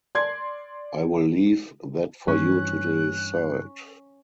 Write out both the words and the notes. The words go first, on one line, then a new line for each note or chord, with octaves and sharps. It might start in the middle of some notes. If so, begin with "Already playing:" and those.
I will leave that for you to decide.
D5 C6 G#6
G2 E3 C#4 F#6